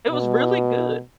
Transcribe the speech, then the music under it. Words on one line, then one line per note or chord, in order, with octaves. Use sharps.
It was really good.
B2